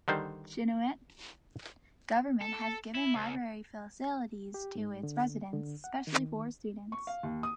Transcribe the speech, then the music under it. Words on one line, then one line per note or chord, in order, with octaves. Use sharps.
Chiniot government has given library facilities to its residents, especially for students.
D3 D#3 G3 C5
A4
E4
C#2
G4
G#2
D3
D3
F#5
D#3
C#6
F5
D#2
D#6